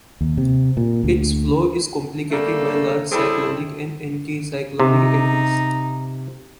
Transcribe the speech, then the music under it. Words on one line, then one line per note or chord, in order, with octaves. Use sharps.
Its flow is complicated by large cyclonic and anticyclonic eddies.
D#2
C3
A#2
D2
G3 A3 A#3 A4
G3 C4 E4 G#4 A4
C3 D#4